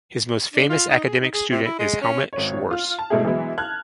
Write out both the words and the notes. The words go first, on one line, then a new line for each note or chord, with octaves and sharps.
His most famous academic student is Helmut Schwarz.
D4
F4
D#4
G#4
D#4
G#4
C3
E4
G#3
C#4
G#1 C#5
F4 F6
A5
G#2 B2 A3 E4 G#4
E3 F#3 G#3 B3 E4
A5 F6 F#6 G#6